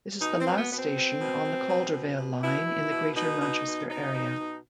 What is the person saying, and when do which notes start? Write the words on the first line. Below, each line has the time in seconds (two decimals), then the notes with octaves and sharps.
This is the last station on the Caldervale Line in the Greater Manchester area.
0.20 B2 D#4
0.39 C4
0.45 B2
0.51 C4
0.57 B3
0.69 B2 B3
0.75 C4
0.94 B2
1.19 B2
1.43 B2
1.68 B2
1.92 B2
2.16 B2
2.41 B2 E4
2.66 B2
2.90 B2
3.16 B2 D#4
3.40 B2
3.65 B2
3.89 B2 D#4
4.13 B2
4.38 B2